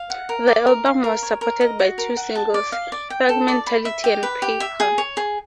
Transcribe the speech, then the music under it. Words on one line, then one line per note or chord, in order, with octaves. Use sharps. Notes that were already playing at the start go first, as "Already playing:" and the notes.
The album was supported by two singles: "Thug Mentality" and "Paper".
Already playing: F5
F#5
A#4
D5
A#4
F5
A#4
C#5
A#4
D#5
F#4
A#4
F#5
A5
D5
F5
D5
G5
A4
D5
B5
E5
G4
B4
G4
E5
G#4
C#5
G#4